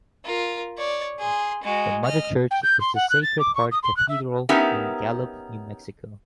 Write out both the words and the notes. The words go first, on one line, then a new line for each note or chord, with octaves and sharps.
The mother church is the Sacred Heart Cathedral in Gallup, New Mexico.
F4 A#4
C#5 D5
G#4 C6
G#3 F#4
D#5 F6
G5
G6
C6
F#5
F#6
A6
D6
C#6
D#6
C6
F#6
E5
B3 C#4 D#4 G4 A#4 E5